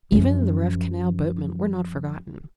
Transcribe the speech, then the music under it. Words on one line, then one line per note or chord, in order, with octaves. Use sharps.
Even the rough canal boatmen were not forgotten.
F#2 F3